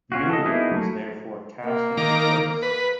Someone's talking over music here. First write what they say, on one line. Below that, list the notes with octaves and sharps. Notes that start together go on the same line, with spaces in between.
Newley was therefore cast in his place.
C#4 F4 F#4
A4 D#5
A#3 B3 D#4 E4 G#4
F#3 A3
A#3
D#3 A#5 D6
B4